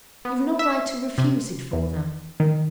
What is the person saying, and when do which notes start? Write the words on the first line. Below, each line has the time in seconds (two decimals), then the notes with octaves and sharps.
You've no right to refuse it for them.
0.25 B3
0.59 E5
1.18 C3
1.73 E2
2.40 D#3